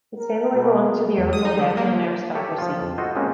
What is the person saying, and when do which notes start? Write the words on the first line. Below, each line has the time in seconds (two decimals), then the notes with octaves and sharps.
His family belonged to the old Moldavian aristocracy.
0.17 A#4
0.54 B2
1.18 E2
1.33 D#6
1.45 D#4
1.59 D3
1.77 A#3
1.92 F3
2.35 D#4 G4 A4 C#5 E5
2.58 F3 F4
2.81 F2
2.98 F4 F#4 A4 C5 D#5
3.15 G#3 A#3 C4 C#4 F4 F#4